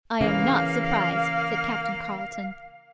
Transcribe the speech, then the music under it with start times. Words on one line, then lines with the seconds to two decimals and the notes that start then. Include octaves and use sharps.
"I am not surprised," said Captain Carleton.
0.21 C#3 E3 A#3 F5